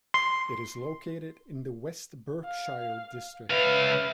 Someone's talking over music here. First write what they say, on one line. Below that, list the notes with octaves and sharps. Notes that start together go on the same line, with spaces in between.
It is located in the West Berkshire district.
C6
F5
C#2 B4 E5 F5